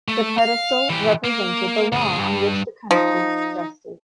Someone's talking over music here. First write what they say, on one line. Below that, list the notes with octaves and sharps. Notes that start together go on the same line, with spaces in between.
The pedestal represented the law on which the country rested.
A3
F5
E3 G4
A#3
D2 G#4
G2
F3 D#4